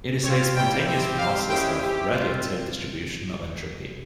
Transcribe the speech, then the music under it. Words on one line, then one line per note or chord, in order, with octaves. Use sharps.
It is a spontaneous process of radiative distribution of entropy.
C4 C#5
F4
G3 A#3 E4 G5
C4 E4 G4
C4 G4 F5
G#3 C#4 E4 G4 G5
C4 E4 G4
C4 F4